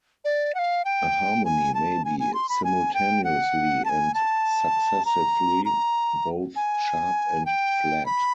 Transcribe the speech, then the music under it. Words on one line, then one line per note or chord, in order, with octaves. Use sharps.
A harmony may be simultaneously and successively both sharp and flat.
D5
F#5
F5
G5
G#5
A5
G#5
G#5
C6
B5
G#5
G5
F#5
A5
G#5
A5
A#5
A#5
G#5
G5
B5